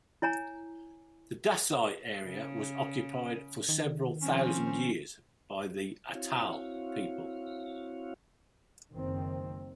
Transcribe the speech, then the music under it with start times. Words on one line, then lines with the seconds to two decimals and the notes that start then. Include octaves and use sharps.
The Dasi area was occupied for several thousand years by the Atayal people.
0.22 E4 C#5 G#5 A#5
2.24 C#3
3.69 D#3
4.22 F3 C4 C#4 C5
6.15 C4 E4 F#4 C#5 F5
8.92 F#1 D#3 C4